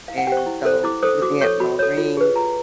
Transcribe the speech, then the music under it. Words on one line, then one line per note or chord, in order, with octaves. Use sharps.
and so, looking at my ring
E4 F5
F#5
G4 C5 G5
C#6
E4
A4 C5
E4 D6
A4 C5 D#6
F#4 D6
A4 C#5 C#6
F#4 B5
A4 C#5
F4
G#4 B4
F4 A#5